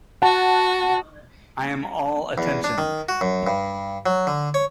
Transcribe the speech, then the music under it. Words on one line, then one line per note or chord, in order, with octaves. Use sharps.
I am all attention.
F#4 F#5 A5
E2
D4
D#3
F#4
F#2
G2
F#3
D3
C#5